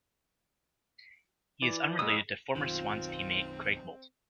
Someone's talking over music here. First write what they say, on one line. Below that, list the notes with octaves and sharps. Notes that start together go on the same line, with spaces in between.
He is unrelated to former Swans teammate Craig Bolton.
E3 E4 D5
F2 G#3 D#6 E6
B1 F#2 D#3 C4 F4